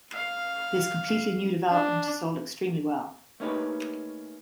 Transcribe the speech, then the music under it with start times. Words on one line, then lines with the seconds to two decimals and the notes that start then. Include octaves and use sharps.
This completely new development sold extremely well.
0.14 F5
1.71 D4
3.40 A3 A#3 C#4 D#4 G4 B4